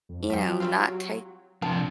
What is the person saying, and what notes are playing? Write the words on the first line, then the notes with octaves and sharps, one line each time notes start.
you know, not take
F2
F#3 E5 G5
G3 C4 F4
C3 F3 D4 G5 A5